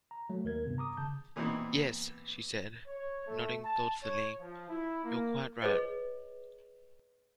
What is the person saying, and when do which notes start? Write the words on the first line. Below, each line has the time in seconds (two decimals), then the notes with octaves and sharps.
"Yes," she said, nodding thoughtfully, "you're quite right."
0.11 A#5
0.29 F#3 A3
0.45 D#2 A#4 G#6
0.65 G2 C3 B3
0.78 A#5 D6 D#6
0.97 C#3 A5 G6
1.36 A#2 E3 B3 C4 D#4 E4
2.87 C#5
3.27 A3
3.65 A5
4.03 C#5
4.40 F3
4.70 E4
5.04 A#3
5.62 G#4 B4 C#5 D#5